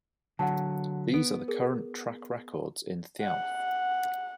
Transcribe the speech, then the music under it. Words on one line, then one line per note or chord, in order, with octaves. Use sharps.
These are the current track records in Thialf.
D3 F#3 F#5 A5
B3 D7
G#4 A#4
F#5